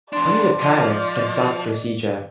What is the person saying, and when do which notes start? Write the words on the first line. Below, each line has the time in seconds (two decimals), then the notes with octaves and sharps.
Only the parents can start the procedure.
0.13 E2 D4 D5 C6
0.61 F3 D#5